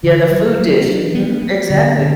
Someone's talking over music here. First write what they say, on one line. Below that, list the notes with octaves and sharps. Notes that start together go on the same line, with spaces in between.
Yeah, the food dish. Mhm, exactly.
D3
F#3
F#3
D4
B3
B3
D3
D3